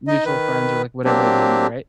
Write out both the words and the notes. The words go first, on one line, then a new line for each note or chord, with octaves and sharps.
mutual friends or like whatever it may be, right?
D#4 D#5
D#3 B4
F#3 A#3 C4 D4 G4